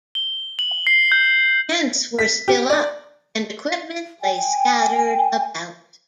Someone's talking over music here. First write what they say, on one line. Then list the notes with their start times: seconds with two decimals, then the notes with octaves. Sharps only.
Tents were still up and equipment lay scattered about.
0.15 G7
0.59 F#7
0.87 C7
1.12 G6
2.19 B6
2.48 G4
2.70 D5
4.21 G5 G#5